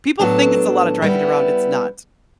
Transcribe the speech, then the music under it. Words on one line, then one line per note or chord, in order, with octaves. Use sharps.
People think it's a lotta driving around, it's not.
A2 F#3 B3 D4 A4
G3 B3 E4